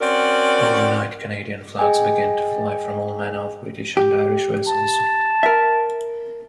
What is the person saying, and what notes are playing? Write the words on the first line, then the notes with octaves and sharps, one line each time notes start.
Overnight, Canadian flags began to fly from all manner of British and Irish vessels.
C4 C#4 F#4 A#4 D5
G#4 D#5 G5 G#5
G4
A5
A#4 E5